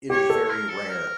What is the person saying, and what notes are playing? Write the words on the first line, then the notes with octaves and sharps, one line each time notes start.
It is very rare.
G4 C#5
A4
C#5
A#4
A4
A#4